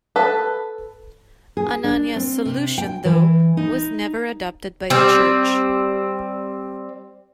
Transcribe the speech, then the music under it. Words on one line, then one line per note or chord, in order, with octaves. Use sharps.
Anania's solution, though, was never adopted by the Church.
A4 B4
G#4
D4
C4
C3
G5
E3
D#4
G3 C4